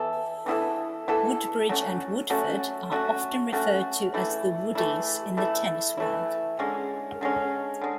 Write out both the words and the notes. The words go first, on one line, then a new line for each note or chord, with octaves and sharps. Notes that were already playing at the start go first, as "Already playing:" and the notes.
Woodbridge and Woodforde are often referred to as "The Woodies" in the tennis world.
Already playing: E3 B3 E4 A4
E3 B3 E4 A4
E3 B3 E4 A4
F#3 A3 C#4 F#4
F#3 A3 C#4 F#4
F#3 A3 C#4 F#4
F#3 A3 C#4 F#4
E3 A3 E4
E3 A3 E4
E3 A3 E4
E3 A3 E4
D3 G#3 C#4
D3 G#3 C#4
D3 G#3